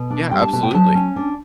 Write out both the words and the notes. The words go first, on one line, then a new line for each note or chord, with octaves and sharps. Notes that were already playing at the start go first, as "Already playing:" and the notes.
Yeah, absolutely.
Already playing: B2
D4
G3 G5
A5
B2 A5
G5
F#3 A5
C#4
D4